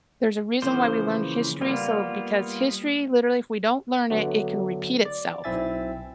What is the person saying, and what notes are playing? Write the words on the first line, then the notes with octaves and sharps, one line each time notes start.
there's a reason why we learn history, so because history literally if we don't learn it, it can repeat itself,
C#3 E3 F3 A#3 C5
G3 A#3 B3 F4
D3 F#3 A3 B3
D5
B1 C4 E4 E5 G#5 A6